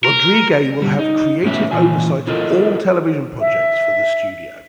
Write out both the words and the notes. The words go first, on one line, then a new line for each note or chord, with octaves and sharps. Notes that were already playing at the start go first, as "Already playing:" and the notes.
Rodrigue will have creative oversight of all television projects for the studio.
A#4
D3 G3
D#4
A2 B3 C#4 E5
A#2 E3 F4 G#5
E4 F4 A4 A#4 D#5
E5